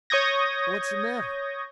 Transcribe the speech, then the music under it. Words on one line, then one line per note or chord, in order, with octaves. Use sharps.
"What's the matter?"
C#5 C#6 D#6 G6 G#6 A#6